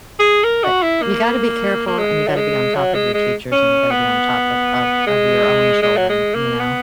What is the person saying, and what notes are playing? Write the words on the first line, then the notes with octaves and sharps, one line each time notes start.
but you gotta be careful, and you gotta be on top of your teachers, and you gotta be on top of of of your own children, you know?
G#4
A#4
F#4
E4
A#3
A#3
G#3
F#3
G#3
F#3
G#3
G#3
C#4
B3
G#3
G#3
F#3
G#3
A#3
B3